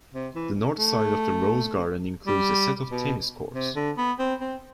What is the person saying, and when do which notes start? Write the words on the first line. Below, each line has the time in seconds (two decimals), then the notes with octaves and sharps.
The north side of the Rose Garden includes a set of tennis courts.
0.14 C3
0.35 E3
0.78 A3
2.27 G3
2.91 B2
3.55 C3
3.76 D3
3.97 B3
4.19 C4
4.41 C4